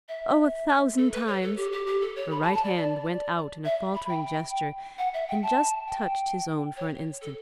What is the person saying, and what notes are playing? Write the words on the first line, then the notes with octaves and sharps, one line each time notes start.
"Oh, a thousand times!" Her right hand went out in a faltering gesture, and just touched his own for an instant.
E5
A4
B4
C#5
A4
G4
G4
G4
A4
C#5
B5
A5
A5
D5
D5
E5
B5
G5
F#5
E5
G5
A5
G5
C#5
A4